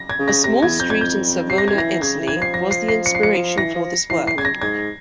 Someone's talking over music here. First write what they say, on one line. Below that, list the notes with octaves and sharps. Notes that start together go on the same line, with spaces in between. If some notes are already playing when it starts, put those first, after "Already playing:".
A small street in Savona, Italy, was the inspiration for this work.
Already playing: A#6
G#6
C#3
A#6
C3 A#6
E2 G#6
F2 G6
G#6
G6
C3 C7
A#6
G#6
E3 A#6
C#3 G#6
E3
G#6
F3
C7
A#6
C7
C7
C#7
C7
C#7
E3 A#6
F3
E3 C7
E3 C7
C#3 G#6
A#6
G#2 G#6